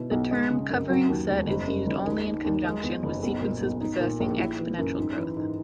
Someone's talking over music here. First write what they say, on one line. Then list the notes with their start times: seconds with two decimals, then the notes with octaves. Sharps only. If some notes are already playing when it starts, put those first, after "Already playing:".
The term "covering set" is used only in conjunction with sequences possessing exponential growth.
Already playing: B2 E4
0.11 B1
0.31 G#3
0.50 C#3
0.70 F#2
0.89 F#3
1.08 D#2
1.28 E1
1.47 F#1
1.67 F#2
1.87 F#1
2.06 D#2
2.25 D#3
2.45 D#2
2.65 G#3
2.83 E2
3.03 F#1
3.23 B1
3.42 A#2
3.61 B1
3.81 D#4
4.00 A#2
4.20 A#1
4.39 E4
4.59 E3
4.78 F#2
4.98 G#2
5.17 E3
5.37 G#2